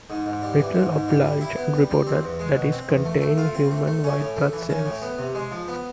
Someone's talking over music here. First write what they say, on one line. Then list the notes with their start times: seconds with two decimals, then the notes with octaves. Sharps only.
Litle obliged, and reported that it contained human white blood cells.
0.10 G#2
0.26 G#2
0.42 G3
0.59 E3
0.75 G#2
0.92 G#2
1.08 G3
1.25 G3
1.41 E4
1.57 B3
1.74 G3
1.90 G3
2.07 C4
2.23 E2
2.39 G#3
2.56 B2
2.72 C4
2.88 E2
3.05 A3
3.21 A3
3.38 F4
3.55 C4
3.71 A3
3.87 A3
4.04 C#4
4.20 A2
4.36 A3
4.53 E3
4.70 C#4
4.86 A2
5.02 B3
5.19 C3
5.35 G#3
5.51 F3
5.68 B3